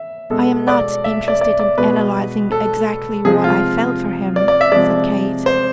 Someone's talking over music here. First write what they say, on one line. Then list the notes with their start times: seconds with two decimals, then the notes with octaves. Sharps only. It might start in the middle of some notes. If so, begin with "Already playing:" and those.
"I am not interested in analyzing exactly what I felt for him," said Kate.
Already playing: E5
0.30 B2 G#3 A4
0.68 D5
1.04 E5
1.28 D5
1.41 D5
1.60 D5
1.78 B2 G#3 B4
2.52 A4
3.25 C3 F3 G#3 G#4
3.44 F4
4.36 D5
4.48 D5
4.61 E5
4.72 C3 F3 G#3 D5
5.46 C5